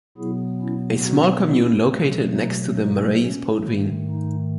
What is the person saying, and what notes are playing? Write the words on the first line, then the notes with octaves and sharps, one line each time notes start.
A small commune located next to the Marais Poitevin.
B2 F#3 B3 E4 G#4
C#4 E4
D#4 F#4
C#4 E4
B2 F#3 A3
D#4
D#4
C#4
G#2 D#3 A3
D#4